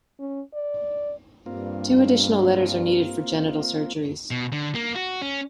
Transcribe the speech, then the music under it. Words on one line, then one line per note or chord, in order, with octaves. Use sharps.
Two additional letters are needed for genital surgeries.
C#4
D5
G2 A#3 C4 F4
B2
D3
A#3
F#4
C#4